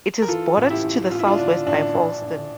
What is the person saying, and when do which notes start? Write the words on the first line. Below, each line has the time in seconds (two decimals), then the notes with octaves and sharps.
It is bordered to the southwest by Fallston.
0.22 A#4
0.28 E3 F4 A4
0.57 A1
0.70 E4 G4
0.84 A1
1.11 A1 F4
1.19 E4
1.27 D4 F4
1.39 D3 D4
1.67 A1 D4
1.94 A#1
2.22 A#1